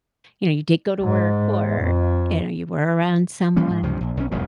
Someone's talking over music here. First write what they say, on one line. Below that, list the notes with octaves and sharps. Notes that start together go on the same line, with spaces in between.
you know, you did go to work or, you know, you were around someone?
G#2
F2
E3 G3 A#3 C#4
G#2
C#2 G2 C3 F3
A#1
B1 C#4
E1 C2 F#2 A#2